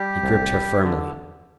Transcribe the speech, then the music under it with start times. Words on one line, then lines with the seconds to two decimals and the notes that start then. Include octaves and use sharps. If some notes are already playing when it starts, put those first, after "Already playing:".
He gripped her firmly.
Already playing: G3 G4
0.23 C2
0.54 G3
0.86 D3